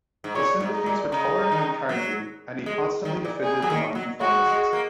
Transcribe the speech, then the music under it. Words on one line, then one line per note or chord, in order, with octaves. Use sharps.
His sympathies were tolerant and kindly, and he constantly defended the Nonconformists.
G#2
A#2 C#5
G#2
D#4
A#2
C#3 D#4
D#3
F#3
G#3
D#3
A#2
G#4
F#3
D#3
F#3
G#3 F#4
G#3
A#3